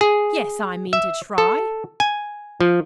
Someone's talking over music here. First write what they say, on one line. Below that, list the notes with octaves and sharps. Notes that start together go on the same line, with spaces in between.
"Yes; I mean to try."
G#4
E5
A4
G#5
F3